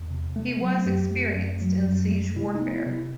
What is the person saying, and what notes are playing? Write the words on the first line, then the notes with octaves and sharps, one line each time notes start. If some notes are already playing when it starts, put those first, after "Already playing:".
He was experienced in siege warfare.
Already playing: E2
C3
A3
F#3
F#2 G4
A3
F#2
F#3
F#2
A3
C3 E4
D#4
B3
E4
C3
E4